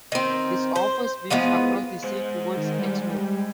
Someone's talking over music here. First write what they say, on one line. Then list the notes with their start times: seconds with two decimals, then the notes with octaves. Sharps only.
This offers views across the sea towards Exmoor.
0.12 D#3 C4
0.76 C5
1.30 E3 F3 G#3 B3
2.04 G#3 C5
2.57 D#3
2.79 G3